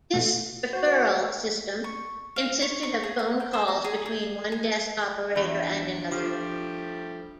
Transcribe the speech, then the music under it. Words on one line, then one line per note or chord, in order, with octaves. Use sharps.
This "referral system" consisted of phone calls between one desk operator and another.
B2 A3
F#4 C5
C#6
F5
C#5
C#6
G#4
F#5
G5
C5
A#5
G#4
G#4
G#5
E2 D4
F3 G3 A3 G4